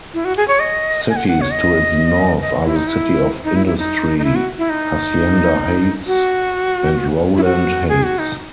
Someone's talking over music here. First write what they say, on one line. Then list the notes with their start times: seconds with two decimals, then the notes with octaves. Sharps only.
Cities to its north are the City of Industry, Hacienda Heights, and Rowland Heights.
0.14 E4
0.25 F#4
0.37 G#4
0.48 C#5
0.60 D#5
1.09 G#5
1.16 F#5
1.28 F#5
1.41 C#5
1.51 D#5
2.41 D#5
2.65 E4
2.76 D#4
2.88 E4
3.44 D#4
3.56 E4
3.66 E4
3.78 D#4
4.18 D#4
4.24 E4
4.35 F#4
4.58 E4
4.70 D#4
6.07 F#4
7.37 E4
7.43 F#4
7.89 G#4
8.03 F#4
8.19 D#4